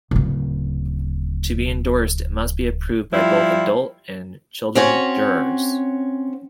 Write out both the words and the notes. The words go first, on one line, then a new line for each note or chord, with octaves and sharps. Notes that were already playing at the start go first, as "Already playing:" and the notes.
To be endorsed, it must be approved by both adult and children jurors.
D1 C#3
F3 G3 E4
C4 C#4 F#4 C#5